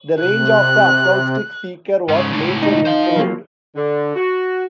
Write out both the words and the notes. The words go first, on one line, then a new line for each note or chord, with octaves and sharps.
The range of the acoustic seeker was later improved.
C3 F#6
G#2 C#3
C#2 A2
D#4
C5 F5
F3 F#3 A#3
D3
F#4